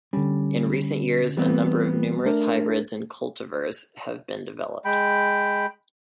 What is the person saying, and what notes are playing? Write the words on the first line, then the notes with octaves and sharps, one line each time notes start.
In recent years a number of numerous hybrids and cultivars have been developed.
D3 G3 C#4
E3 G3 B3 C4
A3 D4 A#4
G#3 G5 B5